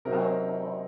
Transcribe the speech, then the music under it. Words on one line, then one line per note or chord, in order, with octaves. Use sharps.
Oh, cool.
C3 F#3 C4 D#4 A#4